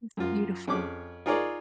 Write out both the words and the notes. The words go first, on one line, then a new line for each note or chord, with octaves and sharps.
It's beautiful.
F#2 F4
F2 C#4 G#4 D6
D#4 F4 G#4 A#4 C#5 D5